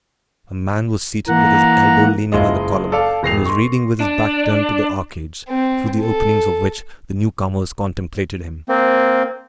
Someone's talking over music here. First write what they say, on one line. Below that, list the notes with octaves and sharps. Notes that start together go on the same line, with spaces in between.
A man was seated with his elbow leaning on the column, and was reading with his back turned to the arcades, through the openings of which the new-comers contemplated him.
E3 A#3 F#5 A#5
F#1 G#3 E4 F4 D#5
A4 D5 F5 A5
E1 A#6 C7 F7
C6 C#6
D4
C4
A4
A#3 C4